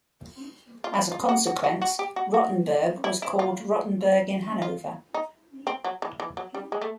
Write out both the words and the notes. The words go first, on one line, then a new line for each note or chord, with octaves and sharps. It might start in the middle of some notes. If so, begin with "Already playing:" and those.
As a consequence, Rotenburg was called "Rotenburg in Hannover".
F4
E4
F4
F#4
F#4
F#4
F#4
G4
F#4
F#4
E4
E4
F4
F4
D#4
C4
F#3
E3
E3
F#3
G3
G#3
A3